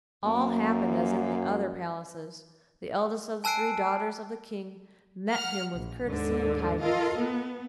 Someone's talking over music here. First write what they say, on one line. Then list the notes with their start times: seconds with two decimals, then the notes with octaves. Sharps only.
All happened as in the other palaces. The eldest of the three daughters of the King met him with courtesy and kindness.
0.25 F#2 A#3
3.44 G#5 A5 E6 F#6 C7 D7
5.30 F#5 F6
5.74 A#1
6.05 D#2 G#2 D3
6.81 F4 A4 A#4 D#5 F5
7.18 B3